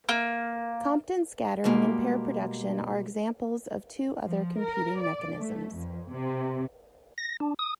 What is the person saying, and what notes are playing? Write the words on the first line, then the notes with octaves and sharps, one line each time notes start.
Compton scattering and pair production are examples of two other competing mechanisms.
A#3
B2 G3 G#3 A#3
F3
A#4
D5
A3
F2
C3
A#6
D4
D#6